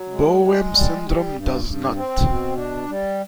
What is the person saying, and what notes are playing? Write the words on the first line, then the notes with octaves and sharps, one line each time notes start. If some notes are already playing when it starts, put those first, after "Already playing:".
Boehm Syndrome does not.
Already playing: F#3
G#3
G#3
G3
G3
G2
G2
C4
B2
D4
G3